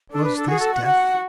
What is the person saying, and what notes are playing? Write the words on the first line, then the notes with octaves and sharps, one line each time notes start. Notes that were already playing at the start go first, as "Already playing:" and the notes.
Was this death?
D4 A4
B4
A4
F#4 G#4
A4
F#5
F#4 F#5